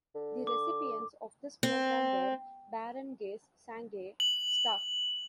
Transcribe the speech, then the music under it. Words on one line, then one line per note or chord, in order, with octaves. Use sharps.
The recipients of this program were Barangays Sangay, Sta.
D3
D6
C4
F#7